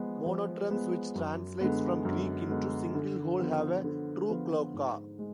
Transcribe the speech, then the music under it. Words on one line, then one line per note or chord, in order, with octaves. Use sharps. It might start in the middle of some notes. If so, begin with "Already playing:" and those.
Monotremes, which translates from Greek into "single hole", have a true cloaca.
Already playing: F3 G#3 B3
F3
G#3 B3
F#2
D3 G#3 B3
F#2
D3 G#3 B3
D3
F3 B3 F4 B4
D3
F3 B3 F4 B4
G#2
G#3